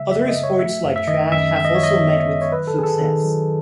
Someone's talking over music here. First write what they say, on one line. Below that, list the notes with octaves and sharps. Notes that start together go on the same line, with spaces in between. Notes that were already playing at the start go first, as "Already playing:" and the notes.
Other sports like track have also met with success.
Already playing: C#3 G#3 E5
F#2 E5
D#5
C#3
C#5
A3 E5
F#2
E5
D#3 D#5
F#2 E5
G#3 E5
D#5
C#5
D#3 D#5
B3
D#3
C#5
F#3 B4
A4
D#3 G#4
A4
D#3
F#3